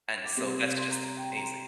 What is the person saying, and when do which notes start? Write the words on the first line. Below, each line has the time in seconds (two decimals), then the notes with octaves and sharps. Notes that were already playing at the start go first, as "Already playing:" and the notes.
and so, that's just amazing.
0.25 D6
0.37 C3 G3 C4 C6
0.77 C6
0.90 A#5
1.03 A#5
1.17 G5
1.30 C6
1.37 A#5